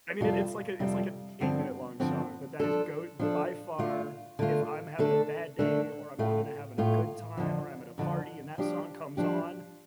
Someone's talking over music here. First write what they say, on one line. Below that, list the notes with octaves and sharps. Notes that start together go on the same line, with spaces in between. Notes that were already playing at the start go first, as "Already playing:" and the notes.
I mean, it it's like a it's like a eight-minute-long song, but that is GOAT by far. If I'm having a bad day or I'm wanting to having a good time or I'm at a party and that song comes on,
F2 C3 G3 F4 A4
F2 C3 G3 F4 A4
G2 D3 F3 C4
G2 D3 F3 C4
F3 D4 A4
F3 D4 A4
D3 A3 F4
D3 A3 F4
D3 A3 D4 A4
D3 A3 D4 A4
A2 A3 F4
A2 A3 F4
F2 D3 F3
F2 D3 F3
F3 D4 G4
F3 D4 G4